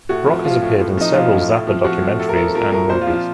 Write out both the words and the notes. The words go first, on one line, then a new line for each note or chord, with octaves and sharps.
Brock has appeared in several Zappa documentaries and movies.
A2 F#4
F3
F3 F4
A2
A2
F3 D#4
F3 F4
A2
A2
F3
F3 F#4
A2
A2 A4
A#4
F3 A4
F3 A#4
A2 A#4
A#2 C5
F4
F3
F4